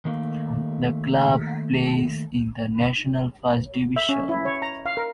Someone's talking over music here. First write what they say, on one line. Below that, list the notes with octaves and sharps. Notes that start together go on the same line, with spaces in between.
The club plays in the National First Division.
D#3 A3 A#3
E5
C#4
E4
C#5
A#5
F5
A#4